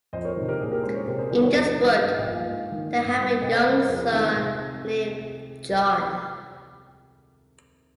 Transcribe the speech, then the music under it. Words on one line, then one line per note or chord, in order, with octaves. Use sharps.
In this book, they have a young son named John.
F2 C5 D#5
A#4 C#5
C3 D#3
G4 A#4
A#2 G#4
G4 A#4
G#3 C#4 G#4 C5
A#4 C#5
C3 G4 A#4
G#4 C5
D#3 G3 C4 G#4 C5
A#4 C#5
F2 C5 D#5
D#3 G3
G2
D#5 G5
F3 A#3
F5 G#5
G#2
D#3 A#3
G2
G3 A#3
C3 D#5 G5
C5 D#5
G3 C#4 A#4 C#5
A#4
F2 G#4
D#3 G#3 C4
C3